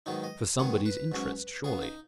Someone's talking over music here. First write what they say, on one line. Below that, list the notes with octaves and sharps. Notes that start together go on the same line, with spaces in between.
For somebody's interest, surely.
G#2 D#3 F#3 B3 D#4
D#5
F#2 D#3 G#3 B3 C#5
B4
G#2 F#3 C#4
C#3 B3 G#4
D#4